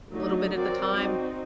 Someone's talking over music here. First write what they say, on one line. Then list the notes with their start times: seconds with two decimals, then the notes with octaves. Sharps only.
a little bit at a time.
0.11 D3 F#3 A3 D#4
0.53 F#3 C4 F#4 A#4 D5
0.95 C4 D#4 F#4